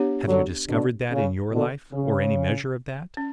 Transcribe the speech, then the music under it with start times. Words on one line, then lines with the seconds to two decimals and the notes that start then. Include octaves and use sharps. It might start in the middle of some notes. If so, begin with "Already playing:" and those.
Have you discovered that in your life, or any measure of that?
Already playing: B3 D4 G4 C#5
0.27 D3 F#3
0.69 B2 D3
1.10 C#3
1.51 B2 D3
1.93 C#3
3.17 C#4